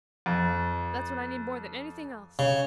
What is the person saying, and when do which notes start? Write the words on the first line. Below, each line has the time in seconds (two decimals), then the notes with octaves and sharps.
That's what I need more than anything else.
0.26 F2
2.39 C#3